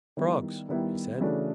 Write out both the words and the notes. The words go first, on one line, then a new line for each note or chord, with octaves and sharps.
"Frogs," he said.
D#3 G3 B3 E4
D#3 G3 B3 E4
C#3 E3 A3 D4 F#4